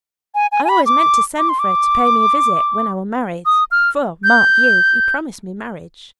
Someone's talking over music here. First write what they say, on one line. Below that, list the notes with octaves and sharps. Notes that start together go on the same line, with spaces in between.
I always meant to send for her to pay me a visit when I was married; for, mark you! he promised me marriage.
G#5
G#5
G#5
B5
D6
D6
C6
D6
D#6
F6
G6